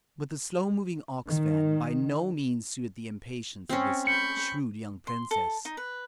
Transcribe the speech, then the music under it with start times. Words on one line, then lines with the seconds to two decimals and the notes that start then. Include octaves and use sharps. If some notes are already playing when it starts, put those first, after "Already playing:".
But the slow-moving ox-wagon by no means suited the impatience of this shrewd young princess.
1.28 D#3
3.70 C4 C#4
4.07 B5 C#6 G6 C#7
5.07 C6
5.31 A4
5.65 D#4
5.77 B4